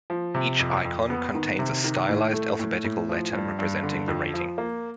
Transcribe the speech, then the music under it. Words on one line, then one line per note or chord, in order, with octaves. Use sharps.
Each icon contains a stylized alphabetical letter representing the rating.
F3
C3
F2
F2
B3
D#3
C3
D#3
A2
A3
A2
A2
F3
G2
G2
D3
F2
F3
A#3